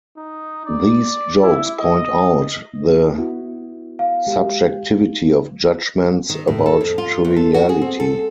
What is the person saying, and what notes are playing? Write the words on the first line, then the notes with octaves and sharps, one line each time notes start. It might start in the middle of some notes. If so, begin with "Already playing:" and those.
These jokes point out the subjectivity of judgments about triviality.
D#4
D5
E4
D#5
B3 E4 F#4
F5
G#3 G4
D#3
A2
A4
F2
F4
E2
A4
F#4
G#4
C4
A4